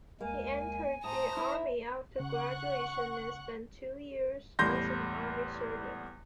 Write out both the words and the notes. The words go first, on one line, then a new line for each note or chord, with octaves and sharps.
He entered the army after graduation and spent two years as an army surgeon.
D#2 G#3 A#3 G#5
A2 C5 A5 A#5 D#6
E4
C#3 F#5 C#6 F#6
E2 A2 G3 C6 G6 A#6